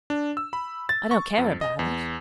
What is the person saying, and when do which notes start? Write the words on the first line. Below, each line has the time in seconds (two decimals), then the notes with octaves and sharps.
I don't care about it.
0.10 D4
0.37 E6
0.53 B5
0.89 A6
1.11 C#6
1.38 F2
1.61 D#5
1.79 E2